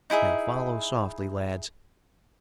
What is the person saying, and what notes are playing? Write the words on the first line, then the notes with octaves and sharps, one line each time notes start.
Now follow softly, lads!
D#4 E4 G#4 E5